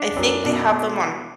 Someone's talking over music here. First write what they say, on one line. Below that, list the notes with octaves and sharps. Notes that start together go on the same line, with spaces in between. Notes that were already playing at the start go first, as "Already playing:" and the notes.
I think they have them on
Already playing: D4
F#2
B2